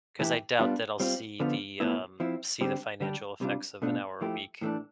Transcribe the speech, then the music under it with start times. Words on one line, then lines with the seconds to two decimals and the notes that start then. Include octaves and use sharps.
'cause I doubt that I'll see the, um see the financial effects of an hour a week.
0.19 A2 E3 A3 E4 G4
0.59 G3 B3 D4 F4
1.00 G3 C4 F4
1.40 D3 F3 B3 F4
1.80 A2 F3 B3 E4
2.20 F3 C4 E4
2.61 D3 G3 C4 G4
3.00 D3 G3 D4
3.41 C3 G3 D4 F4
3.82 B2 A3 D4 F4
4.21 F3 A3 E4 G4
4.61 A2 E3 A3 D4